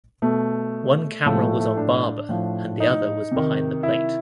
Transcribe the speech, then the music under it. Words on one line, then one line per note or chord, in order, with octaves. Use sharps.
One camera was on Barber and the other was behind the plate.
B2 A3
A2 F3 A3
G#3
A3
A3
D4
A2 F3
D#4
C3
D#3
E4